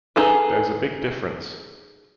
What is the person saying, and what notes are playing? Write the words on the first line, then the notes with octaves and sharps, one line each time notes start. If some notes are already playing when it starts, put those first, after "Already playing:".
There's a big difference.
D#4 G#4 A4 B4